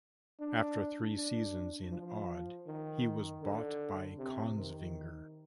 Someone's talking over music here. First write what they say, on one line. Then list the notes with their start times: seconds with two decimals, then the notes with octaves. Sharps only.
After three seasons in Odd he was bought by Kongsvinger.
0.40 D4
1.16 D4
1.91 F3
2.67 D#3
3.43 D3
4.18 C3
4.57 D#3